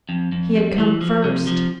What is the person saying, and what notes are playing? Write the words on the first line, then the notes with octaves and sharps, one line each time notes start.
He had come first!
F2
F2
G3
E3
F3
C3
F3